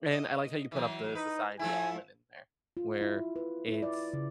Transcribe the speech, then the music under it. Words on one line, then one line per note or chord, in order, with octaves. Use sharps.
and I like how you put up the society element in there. Where it's
D#5
E3 F#3
D#4 B4
F3 A3 E4 G#5
F4
E4
B4
E4
D5
C#3